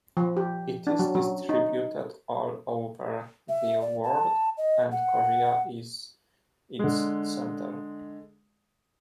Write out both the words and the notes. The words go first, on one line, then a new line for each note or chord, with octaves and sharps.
It is distributed all over the world and Korea is its center.
F3
G4
D4
F#3
F#3
D#4
E5
D5
A5
D#5
F#5
D3 G#3